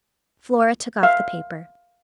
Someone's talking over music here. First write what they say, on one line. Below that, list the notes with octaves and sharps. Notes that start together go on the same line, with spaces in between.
Flora took off the paper.
E5 F5